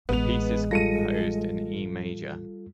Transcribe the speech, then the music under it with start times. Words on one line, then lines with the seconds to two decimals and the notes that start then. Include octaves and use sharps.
The piece is composed in E major.
0.09 A1 G#3 B3 F7
0.71 G3 F4 A4 A#6 C#7 D#7